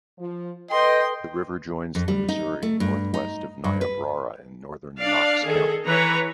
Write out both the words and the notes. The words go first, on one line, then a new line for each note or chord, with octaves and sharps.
The river joins the Missouri northwest of Niobrara in northern Knox County.
F3
A4 B4 D#5 G5 C6
F2
G3
D#4
A3
G2
D#4
G2
B4
D4 D5 F5
D#3 G#4 A4
E3 B4 C#5 A#5